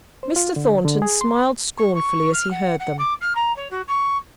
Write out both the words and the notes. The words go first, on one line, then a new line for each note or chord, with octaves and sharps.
Mr. Thornton smiled scornfully as he heard them.
C5
F4
D3
D3
G#4
C6
C#6
C#6
F6
F#5
F#5
D6
F6
A#5
C#5
F#4
C#6